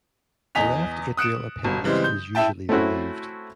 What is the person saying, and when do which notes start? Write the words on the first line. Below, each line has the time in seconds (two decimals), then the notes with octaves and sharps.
The left atrial appendage is usually removed.
0.55 E2 D#5 G#5 B6 F7
1.17 D#6 F#6 C#7 D7 E7
1.64 G1 B2
1.84 C#3 E3 G3 G#3 C4
2.04 G6
2.35 E4 E5 G5 A5
2.69 A3 C4 C#4 E4 F#4